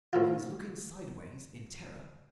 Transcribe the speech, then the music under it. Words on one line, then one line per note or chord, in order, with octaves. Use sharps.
He is looking sideways in terror.
A2 F3 F4